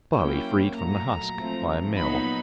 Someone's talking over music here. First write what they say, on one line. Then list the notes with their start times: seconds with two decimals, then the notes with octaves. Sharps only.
Barley freed from the husk by a mill.
0.15 F#3 A#3 C#4 E4 G5
0.76 A#2 F#3 A3 A#5
1.37 F3 A3 C4
1.97 A#2 F#3 B3 D#4 B5